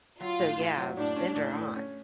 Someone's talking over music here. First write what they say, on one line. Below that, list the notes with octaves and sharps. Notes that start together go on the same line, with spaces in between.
So, yeah, send her on."
F#3 F4
A2
A2
F#3
A2 D4
C#4
A2
A2
C#4